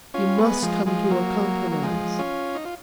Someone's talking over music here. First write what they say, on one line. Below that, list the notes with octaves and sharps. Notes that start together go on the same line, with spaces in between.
You must come to a compromise.
C#4 F4
G#3 B3
F3 G#3
F3 G#3
F#3 A#3
F#3
F3 G#3
C#4 F4
D#4
F4